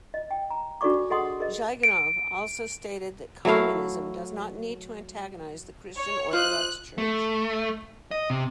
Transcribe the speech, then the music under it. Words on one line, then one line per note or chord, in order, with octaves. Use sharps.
Zyuganov also stated that Communism does not need to antagonize the Christian Orthodox Church.
D#5
G5
A#5
D4 F#4 A4 D5 C#6 D6
G#4 A4 D#5 F#5 C6 D#6
G#4 A#4 D#5
D7
F#3 A3 E4 F5
C#5
F4 C5 D#5 F#6
A3
D#5
C3